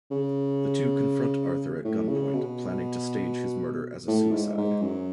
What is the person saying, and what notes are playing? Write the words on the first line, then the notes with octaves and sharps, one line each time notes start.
The two confront Arthur at gunpoint, planning to stage his murder as a suicide.
C#3
A2
C#3
B2
A2
G#2
G#2
F#2